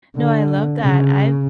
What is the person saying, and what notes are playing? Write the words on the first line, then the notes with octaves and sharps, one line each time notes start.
no, I love that, I've
D3
C#3